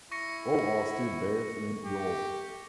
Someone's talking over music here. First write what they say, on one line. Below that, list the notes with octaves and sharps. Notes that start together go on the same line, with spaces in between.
All are still based in York.
E4 C#6 A#6 C#7
G4